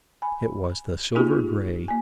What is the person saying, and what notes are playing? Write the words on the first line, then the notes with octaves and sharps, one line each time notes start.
It was the "silver-gray."
G#5 B5
A#3 C#4 D#4 F4 G4 G#4
A#3 G#5